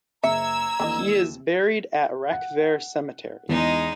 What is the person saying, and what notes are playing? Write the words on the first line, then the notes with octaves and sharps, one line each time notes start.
He is buried at Rakvere Cemetery.
F#1 E5 A#5 E6 G#6 C#7
D#2 D3 E3 G4 D#5
F#5
E2 G#3 D#4